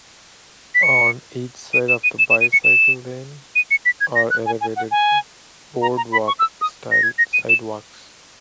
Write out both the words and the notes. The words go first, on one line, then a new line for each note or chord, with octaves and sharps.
On each side of the bicycle lane are elevated boardwalk-style sidewalks.
B6
C#7
D#7
E7
D#7
E7
E7
D#7
C#7
E7
D#7
C#7
B6
G#6
A#6
F#6
G#5
G#5
F#5
G#5
A#5
A#5
B5
C#6
E6
D#6
A#6
G#6
A#6
D#7
E7